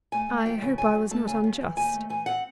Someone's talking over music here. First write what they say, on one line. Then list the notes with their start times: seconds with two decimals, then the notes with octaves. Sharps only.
"I hope I was not unjust."
0.12 A3 G#5
0.29 A3
0.45 F3 G5
0.62 C#3
0.78 C#3 G#5
0.95 F#2
1.11 A3 A5
1.27 C#3 G#5
1.44 D#2
1.61 E3
1.77 D#2 G#5
1.94 A3
2.09 E3 G#5
2.26 C4 F#5